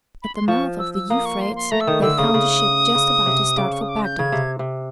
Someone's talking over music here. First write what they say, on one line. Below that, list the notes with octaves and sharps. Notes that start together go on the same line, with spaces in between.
At the mouth of the Euphrates they found a ship just about to start for Bagdad.
B5
C6
F3 C#6
E6
E6
A#3 D#6
C#6
C6
C6
A3 A#5
E6
D#3 D#6
D3 E6
C#3 D#6
C#3
C#3
C3
C#3 D6
C#6
D#6
D6
G6
C#3 G#6
C3
C3